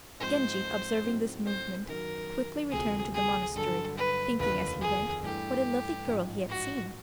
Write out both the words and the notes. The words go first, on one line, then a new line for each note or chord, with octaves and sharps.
Genji observing this movement quickly returned to the monastery, thinking as he went what a lovely girl he had seen.
G#2 F3 G#3 C4 C5
A2 F#3 A3 C4 D#4
C5
F#2 D#3 F#3 A#4
D2 C3 F3 A3 C4 G#4
G#4
G2 D3 F#3 A4
B4
F1 D#2 D3 F3 B4
G#4
G2 E3 A3 G4
A1 G#2 F3
F#4